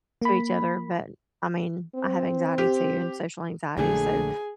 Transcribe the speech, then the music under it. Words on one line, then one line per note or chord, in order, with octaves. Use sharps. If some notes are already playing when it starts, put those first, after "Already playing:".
to each other, but I mean, I have anxiety too and social anxiety, so
A#3 B5
C4
G4
A#1 D3 A3 G#4